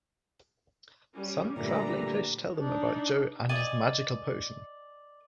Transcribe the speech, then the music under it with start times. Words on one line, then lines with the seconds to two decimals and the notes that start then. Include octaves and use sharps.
Some traveling fish tell them about Joe and his "magical potion".
1.14 G3 C#4
1.56 A#2 D3 G3 A3 B4 A#5
2.56 D4 D#4
3.49 D5 D#5 G#5